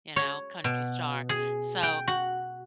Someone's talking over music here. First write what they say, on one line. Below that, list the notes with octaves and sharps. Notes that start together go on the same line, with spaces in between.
you know, country star." So,
C#5
B2
G#4
G5
F#4